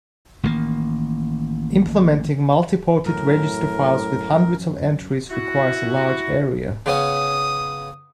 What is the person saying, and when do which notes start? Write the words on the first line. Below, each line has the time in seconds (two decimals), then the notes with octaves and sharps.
Implementing multiported register files with hundreds of entries requires a large area.
0.43 A1 D#3 F3 A#3
3.06 F#2 A2 A#4
5.31 E4 F#4
6.86 C#3 B3 C#4 D#6